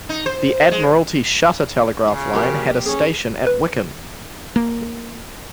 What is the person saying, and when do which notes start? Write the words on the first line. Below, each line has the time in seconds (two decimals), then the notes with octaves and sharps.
The Admiralty Shutter Telegraph Line had a station at Wickham.
0.09 D#4
0.26 C5
0.71 G#3
2.08 C#3 F4
2.34 F3 A#3 F#4 G4 A#4
2.86 C#4 G#4
3.47 B4
4.56 A#3